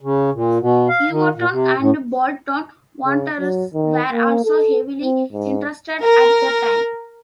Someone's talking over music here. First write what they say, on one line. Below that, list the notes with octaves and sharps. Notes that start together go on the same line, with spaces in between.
Everton and Bolton Wanderers were also heavily interested at the time.
C#3
A#2
B2
F5
D#3
A#2
C3
A2
C#3
F#3
D#3
A#3
A4
C4
G#2
A#4